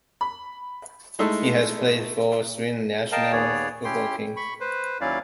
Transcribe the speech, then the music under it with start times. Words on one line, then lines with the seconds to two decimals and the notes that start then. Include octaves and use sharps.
He has played for the Sweden national football team.
0.21 B5
1.19 G#3 A3 D#4 E4 A4
3.12 A#4 D#5 F5 G5 A5
3.32 D#2 B3 G#4 C#5 D5
3.85 C#4 E4 G4 G5 C6
4.37 B5 C#6
4.60 B4 C5
5.01 D#2 F#3 C#4 E4 D5 F5